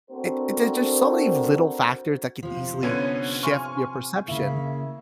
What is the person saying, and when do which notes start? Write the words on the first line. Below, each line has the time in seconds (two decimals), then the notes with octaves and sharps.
it it there's just so many little factors that could easily shift your perception.
0.10 C4 D4 F#4 A4 A#4 C5
2.43 C3 F3
2.83 D3 B3 C#4 G#6 C#7 D#7
3.43 G#5 C6 C#6 F6
4.28 C#3 A#3 E4